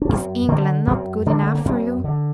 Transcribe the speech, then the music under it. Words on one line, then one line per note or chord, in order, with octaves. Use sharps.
"Is England not good enough for you?"
D4
F#2 C4
D3 C4
F#2 C4
D3 D4
A3
A#3
F#2 C4
D3